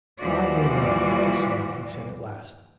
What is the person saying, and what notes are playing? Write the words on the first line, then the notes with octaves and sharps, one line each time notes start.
'I will not make a scene,' he said at last.
D#2 E3 F3 G3 F#4 D5